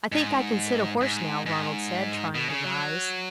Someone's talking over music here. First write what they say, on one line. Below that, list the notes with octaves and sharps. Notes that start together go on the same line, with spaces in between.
"I think I can sit a horse now," Ronald said, trying to rise.
G#2
G#2
G#2
B2
C#3
F#3